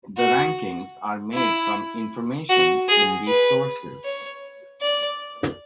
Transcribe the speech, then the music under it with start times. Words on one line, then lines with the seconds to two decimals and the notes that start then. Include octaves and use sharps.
The rankings are made from information in these sources.
0.17 F#4
1.33 E4
2.49 F#4
2.88 G#4
3.27 B4
4.04 C#5
4.82 D5